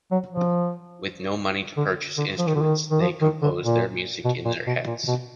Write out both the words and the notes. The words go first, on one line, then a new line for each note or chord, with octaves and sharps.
With no money to purchase instruments, they compose their music in their heads.
F#3
F3
D3
D3
F3
D#3
D3
D#3
D#3
F3
D#3
D3
A#2
B2
A#2
B2
A#2
B2